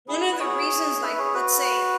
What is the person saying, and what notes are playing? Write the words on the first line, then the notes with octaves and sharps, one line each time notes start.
one of the reasons, like, let's say
E4 G#4
B4
G#4 C#5
B4 E5
G#4 C#5
F#4 B4